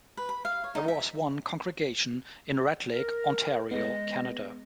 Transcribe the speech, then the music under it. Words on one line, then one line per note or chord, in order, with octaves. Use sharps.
There was one congregation in Red Lake, Ontario, Canada.
B4
B5
F5
C#5
D#4
E5
A#4
G#3 B3 D#5